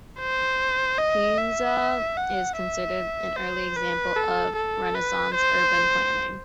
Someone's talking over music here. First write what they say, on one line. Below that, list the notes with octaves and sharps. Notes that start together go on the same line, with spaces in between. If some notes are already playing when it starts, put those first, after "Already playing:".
Pienza is considered an early example of Renaissance urban planning.
C5
D#5
E5
F#5
E5
C5
B4
A4
A4
B4
C5